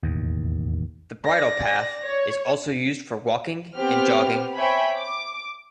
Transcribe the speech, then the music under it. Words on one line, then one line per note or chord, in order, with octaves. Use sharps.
The Bridle Path is also used for walking and jogging.
E1 A1 D#2
D5 A#6
C#5
B3 C4 G4 F6
C5 C#5 E5 G5 G#5 B5
D6